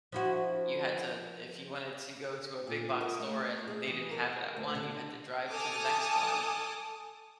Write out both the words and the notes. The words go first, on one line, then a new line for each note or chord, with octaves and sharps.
you had to if you wanted to go to a big box store and they didn't have it at one, you had to drive to the next next one
F3 E4 F#4
A#2
A#4
A3
G#4
E3
A#4
D2
D3
A4 G#5 A5 D6 D#6 F6